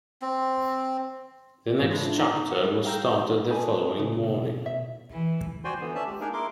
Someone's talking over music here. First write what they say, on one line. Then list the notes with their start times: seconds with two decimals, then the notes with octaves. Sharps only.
The next chapter was started the following morning.
0.22 C4
1.80 G#2 E3
1.91 D4 E4 F4
2.14 G#1 D#4
2.51 F#5
2.63 G3 E4 G#4
2.85 F5 G5 A#5 E6 G6
3.50 G#4 B4 A5
3.99 C#3
4.23 B2
4.66 B2 E5
5.11 E3
5.64 F#4 C5 D5 G5 G#5 C6
5.80 D3 E3 B3
5.95 C#4 D5 E5 A5
6.06 G#3 G4
6.20 A#3 D4 D#4 G#4 A#4
6.33 E4 A#4 C6 D6